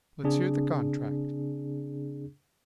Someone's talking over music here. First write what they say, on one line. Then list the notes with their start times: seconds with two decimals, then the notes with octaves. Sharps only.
"Let's hear the contract!"
0.24 C#3 C4 D4 G#4